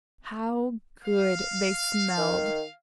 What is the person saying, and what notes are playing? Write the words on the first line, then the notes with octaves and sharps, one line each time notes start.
How good they smelled!
F5
D#3